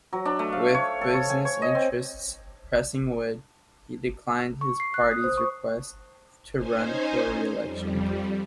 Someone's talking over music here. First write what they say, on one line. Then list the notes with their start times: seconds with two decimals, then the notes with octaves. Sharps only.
With business interests pressing Wood, he declined his party's request to run for re-election.
0.13 F#3
0.25 D4
0.39 A3
0.52 F5
0.74 C#5
1.01 A4
1.14 C#5
1.30 G#5
1.45 C#5
1.62 D#5
1.75 C4
4.61 C#6
4.80 C7
4.94 F#6
5.11 D#6
5.24 C5
5.38 C#6
6.56 C#4 D#4 C5 G#5
7.60 F2 G3